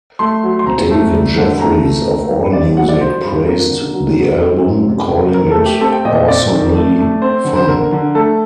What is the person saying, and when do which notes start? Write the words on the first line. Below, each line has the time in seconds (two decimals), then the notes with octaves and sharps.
David Jeffries of AllMusic praised the album, calling it "awesomely fun".
0.19 A3 C6
0.44 F#3
0.59 C6
0.66 C4 A#5
0.91 A3
1.13 G3
1.37 D3
1.60 A3 A#5
1.83 A3
2.07 C4
2.30 G3
2.53 C4 D5
2.77 F#3 F#5
2.89 D5
3.01 F#3 C5
3.24 G2
3.47 A#3 A#4
3.70 D3
3.93 F#3
4.18 F#3
4.41 C4
4.65 F#2
4.88 C3
5.11 A#3
5.34 C4 A#4
5.50 A4
5.57 A3
5.66 G4
5.81 C4 A4
5.92 G5
6.05 A#2 D#5
6.28 C4 D5
6.51 D#3
6.75 A3
6.98 A3
7.22 C4 C5
7.45 D3
7.56 C5
7.68 D3 A#4
7.92 D3
8.15 A3 A4